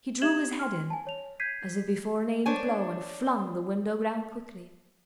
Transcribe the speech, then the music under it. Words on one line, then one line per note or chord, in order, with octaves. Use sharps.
He drew his head in, as if before an aimed blow, and flung the window down quickly.
G4 E5 G#6 E7 F#7 G7
C6 F6
G#5 A5
C#5 F7
G6 G#6 B6 C7 D#7
D4 C5 C#5 G#5